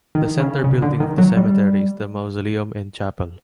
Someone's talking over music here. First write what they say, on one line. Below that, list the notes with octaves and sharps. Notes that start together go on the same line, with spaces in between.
The center building of the cemetery is the mausoleum and chapel.
D#3
C#3
C#3
D3
D#3
F#3
G3